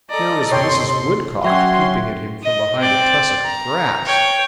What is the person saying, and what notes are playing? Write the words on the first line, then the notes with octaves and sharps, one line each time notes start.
There was Mrs. Woodcock peeping at him from behind a tussock of grass.
A4 D5 D#5 A#5
G1 D#2 C3 C#5 G5 C6
F#3 C#4 F#4 E5 G5 C6 G#6
D#5
C4 D5
A#5
C#5 G5